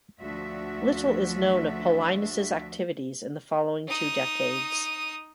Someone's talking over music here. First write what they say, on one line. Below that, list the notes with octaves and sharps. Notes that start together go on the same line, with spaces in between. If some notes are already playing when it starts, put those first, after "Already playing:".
Little is known of Paulinus' activities in the following two decades.
D2 F3 D4 F#4 E5
D#4 D#6